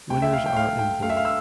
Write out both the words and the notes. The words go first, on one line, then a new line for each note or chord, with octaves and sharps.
Winners are in bold.
D2 G5
E5
F5
G5
A3 F5
G5
A3 F5
E5
F5
E6